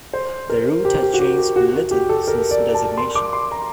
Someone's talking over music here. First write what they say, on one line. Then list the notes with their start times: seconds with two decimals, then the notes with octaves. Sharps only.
The route has changed little since designation.
0.13 C5
0.50 A#4
0.85 G4
1.03 G4
1.14 F#4
1.20 G4
1.39 G4
1.56 F#4
1.74 F#4
1.91 G4
2.09 A4
2.28 A#4
2.51 D5
2.74 A5
2.97 C6
3.15 D6
3.33 C6
3.52 A#5